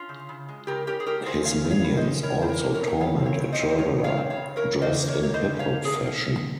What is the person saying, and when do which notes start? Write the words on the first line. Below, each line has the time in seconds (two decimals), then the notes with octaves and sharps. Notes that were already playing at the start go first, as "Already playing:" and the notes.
His minions also torment a traveler dressed in hip hop fashion.
Already playing: C#4 F4
0.09 C#3
0.29 C#3
0.49 G#3
0.67 C#3 G4 A#4
0.87 C#4 G4 A#4
1.00 G#4
1.06 G#3 G4 A#4
1.26 C#3 G#4 C5
1.45 C#4 C#5 F5
1.64 C#3
1.70 C#5 F5
1.84 G3
1.97 C5 D#5
2.04 C#4
2.23 G3 A#4 C#5
2.42 G3 C5
2.48 A#4 C#5
2.62 A#3
2.74 A#4 C#5
2.81 C#3
3.00 C#3 C#5 F5
3.20 C4
3.26 C#5 F5
3.39 C#3 C#5
3.52 C5 D#5
3.59 C4
3.69 C5
3.78 C#3 A#4 C#5
3.98 C#3
4.04 C#5 F5
4.17 C4
4.30 C#5 F5
4.36 C#3
4.56 C#4 A#4 C#5
4.75 A#3
4.82 C5 D#5
4.95 A#3
5.08 A#4 C#5
5.14 A#3
5.23 C#5
5.33 G3 C5 D#5
5.54 C#4
5.59 C#5 F5
5.73 A#3
5.85 G#4
5.93 C#4 A#4